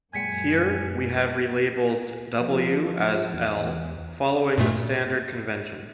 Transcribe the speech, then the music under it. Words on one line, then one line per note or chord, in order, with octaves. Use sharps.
Here, we have relabeled W as L following the standard convention.
F#2 A#2 G#3 G5 G#5 G#6 B6 C#7
F3
E2
G2 A#2 A3